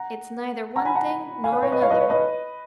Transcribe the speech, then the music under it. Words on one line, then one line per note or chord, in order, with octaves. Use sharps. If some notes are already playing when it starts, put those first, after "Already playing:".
It's neither one thing nor another.
Already playing: F#5 A#5
F#5 A#5
G#5 B5
F#5 A#5
F5 G#5
B4
C#5
B4 D#5
C#5 F5
B4 D#5
C#5
B4 D#5